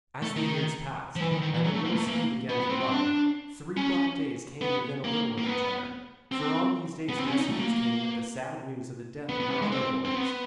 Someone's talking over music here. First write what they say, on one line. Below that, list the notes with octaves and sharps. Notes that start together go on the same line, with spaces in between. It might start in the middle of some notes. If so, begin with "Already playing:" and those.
As the years passed, and her little son began to run, three black days came within a little of each other, for on these days messengers came with the sad news of the death of her other boys.
A3
D#3
F3
E3
D#3
D#3
E3
F#3
A3
A#3
A3
A#3
B3
B3
C4
C4
D4
C#4
B3
A#3
A#3
B3
C4
B3
C4
C#4
D#4
A3
A#3
B3
B3
B3
G#3
C4
C4
B3